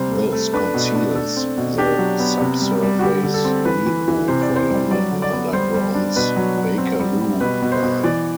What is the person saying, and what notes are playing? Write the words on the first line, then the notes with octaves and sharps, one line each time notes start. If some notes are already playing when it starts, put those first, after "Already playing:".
This conceals the subsurface depot for London Underground's Bakerloo line.
Already playing: C3 G3 C5
A3
A3
D4 B4
B2
D4
A3 A4
C4
B2
D4 G4
F#3
B3
C3
G3
G3
F#4
D3 G4
D3
A4
C4
E3 B4
E3
E3
C3 C5
D5
C3
C5
G3
F#3 D5
D3
D5
B3
G3 C5
G3
D4
B2 B4
F#3
F#3
C4
G3
G3
B2 B4
B2
C5
B2
E3 D5